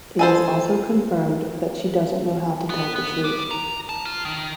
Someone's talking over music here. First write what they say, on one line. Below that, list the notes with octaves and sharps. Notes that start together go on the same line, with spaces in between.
It is also confirmed that she doesn't know how to tell the truth.
G#4 A4 C5
B3
B3
G3
A#5
A5
F4
D#3